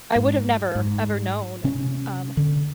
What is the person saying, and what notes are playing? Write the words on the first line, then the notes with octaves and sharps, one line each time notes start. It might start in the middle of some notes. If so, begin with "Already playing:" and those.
I would have never ever known, um, ha
G#2
G#2
C3 C#4
D3